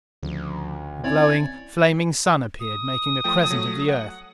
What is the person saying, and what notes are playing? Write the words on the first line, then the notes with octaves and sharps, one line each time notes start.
The glowing, flaming Sun appeared, making a crescent of the Earth.
D2 C#3 F3
C4 C#4 E4 C#5 D5 G#5 G#6
D#6
F3 A3 G5
F#3 A3
F#5